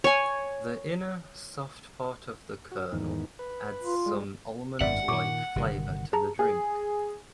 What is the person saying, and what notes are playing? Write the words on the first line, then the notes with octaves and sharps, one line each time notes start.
The inner, soft part of the kernel adds some almond-like flavor to the drink.
C#5 G#5
F#4
E2 G#2 D#3
B4
F4
G3 G#3
G#1 F#2 D#3 D5 E5 F#5
A#2 D#3 C#6 D6
G1 C3 D#3
G#4 A5 A#5
G#4